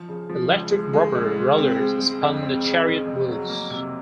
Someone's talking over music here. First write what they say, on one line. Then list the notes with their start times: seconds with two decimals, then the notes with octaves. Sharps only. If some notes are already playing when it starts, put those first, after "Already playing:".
Electric rubber rollers spun the chariot wheels.
Already playing: F3
0.09 C#3
0.29 F3
0.51 C#2
0.72 G#3
0.93 G#3
1.15 C#2
1.36 G#3
1.58 C4
1.79 G#3
2.00 G#3
2.21 F2
2.43 C4
2.65 C#3
2.85 C#3
3.06 F2
3.28 F#3
3.50 A#3
3.70 C3